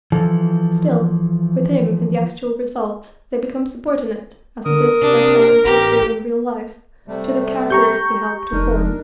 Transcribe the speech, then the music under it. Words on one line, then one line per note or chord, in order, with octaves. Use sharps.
Still, with him, in the actual result, they become subordinate, as it is their tendency to do in real life, to the characters they help to form.
E3 F3 A4
D3 A#4 D#6
C3 D4
A1 G4 A#5
C3 G3 A3
G4 A#5 C#6 G6
F1 D4 D#4 A#4